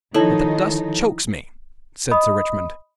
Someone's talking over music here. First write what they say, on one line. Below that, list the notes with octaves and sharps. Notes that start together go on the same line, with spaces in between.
"But the dust chokes me," said Sir Richmond.
D#3 F3 D#4 E4 A4 C#5 A5
D#5 B5 D#6